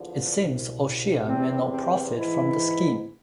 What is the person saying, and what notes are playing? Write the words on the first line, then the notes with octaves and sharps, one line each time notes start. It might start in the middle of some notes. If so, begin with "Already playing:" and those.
It seems O'Shea made no profit from the scheme.
Already playing: E2 D3 F3
C2 B2
E2 C3 E3 C4
C4
G#2 E3 E4